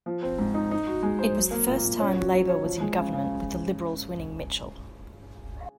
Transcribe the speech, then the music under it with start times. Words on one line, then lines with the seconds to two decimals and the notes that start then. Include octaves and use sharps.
It was the first time Labor was in government with the Liberals winning Mitchell.
0.06 F3
0.22 C4
0.38 G#2
0.54 D#4
0.71 D#4
0.87 F#4
1.03 G#3
1.19 C5
1.35 F#3
1.51 A#3
1.67 A#2
1.84 A#2
2.00 C#4
2.16 F#4
2.32 F#3
2.49 C#5
2.64 F3
2.80 G#3
2.97 C#3
3.13 C#3